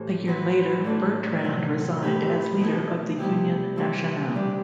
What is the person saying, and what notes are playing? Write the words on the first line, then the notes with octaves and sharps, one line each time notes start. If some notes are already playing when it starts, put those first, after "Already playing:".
A year later, Bertrand resigned as Leader of the Union Nationale.
Already playing: A2 E3 A3 C4 G4 C5
F#3 C4 F#4 B4
A2 E3 A3 D4 A4
C3 F#3 C4
A3 C4 G4 B4
B2 A3 E4 A4
C3 G3 B3 E4 G4
E3 A3 C4 E4 G4
G3 D4 G4